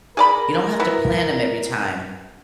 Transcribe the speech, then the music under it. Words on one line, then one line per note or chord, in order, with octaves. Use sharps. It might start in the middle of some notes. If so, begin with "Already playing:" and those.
you don't have to plant 'em every time.
G#4 A#4 D5 B5
F#3 B3 E4